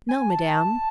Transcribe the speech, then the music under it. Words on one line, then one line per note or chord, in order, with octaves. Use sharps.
"No, Madame."
G#5
A5